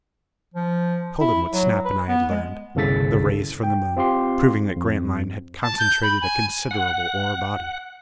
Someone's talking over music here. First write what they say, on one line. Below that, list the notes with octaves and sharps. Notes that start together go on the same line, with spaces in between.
I told him what Snap and I had learned: the rays from the Moon, proving that Grantline had concentrated a considerable ore body.
F3
E4
F#3
B4
B3
G#3
G1 C2 C#3 A4 A6 B6
G5
C4 F4 G4 C6
F2
A5
G6
B5
G#5
F#5